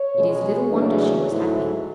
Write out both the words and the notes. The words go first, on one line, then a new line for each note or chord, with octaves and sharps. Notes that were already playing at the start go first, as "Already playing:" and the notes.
It is little wonder she was happy.
Already playing: C#5
B2 G#3 C#4
E2 C#3 F#3 A3 C#4 D4
G#2 F#3 A3 E4